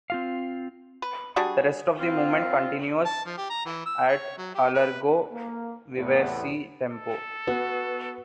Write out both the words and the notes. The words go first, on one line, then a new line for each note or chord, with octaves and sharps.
The rest of the movement continues at allegro vivace tempo.
C4 F4 F5
B4
G3 D4 F#4 G#4
C4 F4
A5
F3
G4
A#5
E3
E6
C#5
F#3
G4
B4
A#3
E2 A2 C3 B3
A4
B3 F#4